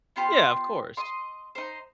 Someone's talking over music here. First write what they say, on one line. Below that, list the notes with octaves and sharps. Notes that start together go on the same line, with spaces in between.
Yeah, of course.
B3 F4 G4 C5
D#5 C6
D#4 C5